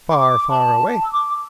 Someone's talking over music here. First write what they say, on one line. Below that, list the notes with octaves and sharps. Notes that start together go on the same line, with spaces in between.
"Far, far away!"
D6
A5
A5
E6
D6